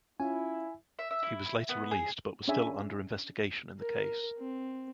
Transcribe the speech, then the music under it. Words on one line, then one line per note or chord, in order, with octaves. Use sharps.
He was later released but was still under investigation in the case.
C#4 E4 F4 G#5
E5
E5
E4
B3
G#4
C#4 D4 G#4 E5 G#5
A#4
C4